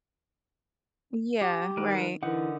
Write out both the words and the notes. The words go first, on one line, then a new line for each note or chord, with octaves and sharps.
Yeah. Right.
G4
D#3 G3 A#4 B4
D3 E3 D#4 A#4 F#5